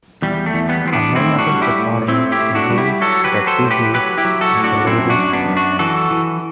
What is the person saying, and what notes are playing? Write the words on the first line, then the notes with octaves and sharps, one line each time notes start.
On many of his recordings he uses the "dizi" as the lead instrument.
E2 G3
A3
E2
G3 B3
E2 C4
B3 D4
A2 C4 E4
D4 F#4
G3
E4 G4
A2
A2 C4 E4
E4 G4
A2
D4 F#4
G3
E4 G4
F#3 F#4 A4
G4 B4
F#3
A4 C5
A2
G4 B4
F#3 G4 B4
E4 G4
F#3
F#4 A4
A2
D4 F#4
F#2 C4 E4
D4 F#4
F#2
B3 D4
F#2
D4 F#4
E3 F#4 A4
E3